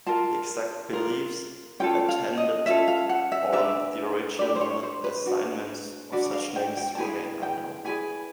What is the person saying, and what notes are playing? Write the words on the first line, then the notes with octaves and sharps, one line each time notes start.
The exact beliefs attendant on the original assignment of such names remain unknown.
F4 A#4 A5
F4 A#4
C#4 F4 A4 G5
F5
D#5
C#4 F4 A4 E5
F5
F#5
E5
D4 G4 B4 E5
D4 G4 B4 D5
C5
C#5
C5
B4
D4 F#4 B4
D4 F#4 B4 D5
F5
G5
G5
A5
E4 G#4 B4 G#5
G5
E4 G#4 B4 G#5